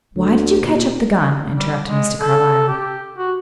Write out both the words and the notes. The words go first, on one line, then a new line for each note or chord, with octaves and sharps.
"Why did you catch up the gun?" interrupted Mr. Carlyle.
D2
A#2
G3
G#3
A4
G4
F#4